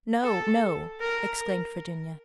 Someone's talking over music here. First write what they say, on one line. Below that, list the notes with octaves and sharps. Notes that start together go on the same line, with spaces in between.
"No, no!" exclaimed Virginia.
A4
A#4